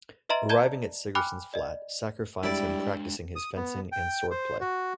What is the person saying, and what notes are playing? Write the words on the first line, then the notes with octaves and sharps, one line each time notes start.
Arriving at Sigerson's flat, Sacker finds him practicing his fencing and swordplay.
B4 D#5 E5 A#5 C6 D7
D5 A5 A#5 G6 G#6 G7
G5 G#5 B5 D6 F6 F#6
D5 D#5
G3 G#3 D4 E4 D5
D#6
B3
G5
C5
F#4